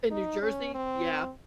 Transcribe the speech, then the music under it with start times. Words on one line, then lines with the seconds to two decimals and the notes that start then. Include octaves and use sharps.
In New Jersey? Yeah.
0.11 D#4
0.43 C#4
0.74 C4